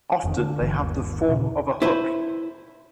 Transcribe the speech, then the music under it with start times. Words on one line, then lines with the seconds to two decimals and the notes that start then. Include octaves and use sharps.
Often, they have the form of a hook.
0.24 F1 F2 A2 D#3
0.37 D3
0.61 G1 D3 E3
0.79 G1 D#2
1.28 D#2 A#2 C#3
1.82 E4 B4 C5